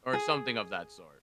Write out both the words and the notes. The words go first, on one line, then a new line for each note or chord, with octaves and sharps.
or something of that sort.
G#4